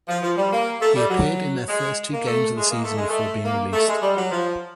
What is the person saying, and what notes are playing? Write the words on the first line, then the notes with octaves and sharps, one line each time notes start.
He appeared in their first two games of the season before being released.
F3
F3
G3
A#3
A3
G3
F#3
G#3
A#3
A3
G#3
A#3
A3
G#3
A3
A#3
A3
G#3
G3
F#3
F3